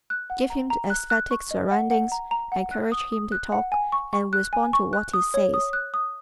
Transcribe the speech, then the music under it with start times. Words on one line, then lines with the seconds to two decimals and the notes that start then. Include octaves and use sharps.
Give him esthetic surroundings, encourage him to talk, and respond to what he says.
0.10 F#6
0.30 F#5
0.50 A#5
0.70 A#5
0.90 F#6
1.10 F#6
1.31 C#6
1.51 D#5
1.71 F#5
1.91 F#5
2.12 A#5
2.31 A#5
2.52 F#5
2.71 F#6
2.92 D#6
3.12 D#6
3.32 F#6
3.52 F#5
3.72 G#5
3.92 C#6
4.13 C#6
4.33 F#6
4.53 G#5
4.73 C#6
4.93 F#6
5.14 D#6
5.34 C#5
5.54 D#6
5.73 F#6
5.94 D#6